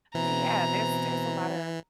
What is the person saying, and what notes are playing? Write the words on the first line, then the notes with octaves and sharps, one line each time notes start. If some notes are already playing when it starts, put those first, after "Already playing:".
but, yeah, there's there's a lotta
B2 E3 C4 E4 C5 A#5